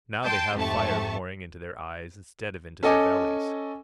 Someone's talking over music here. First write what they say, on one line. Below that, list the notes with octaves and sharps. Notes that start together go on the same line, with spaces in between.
Now they have fire pouring into their eyes instead of into their bellies.
G5 A5 C6 G6
F2 G#2 C3 A3 A5 C#6
C#4 A4 D#5 G#5 D6